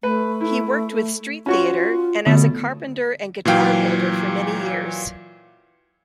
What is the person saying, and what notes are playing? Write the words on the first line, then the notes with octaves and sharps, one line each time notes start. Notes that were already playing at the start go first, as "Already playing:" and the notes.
He worked with street theatre, and as a carpenter and guitar-builder for many years.
A3 B4
E4
C#4 F4 F#4 C#6
B2 D3 A3
A#2 E3 F#3 F5 G5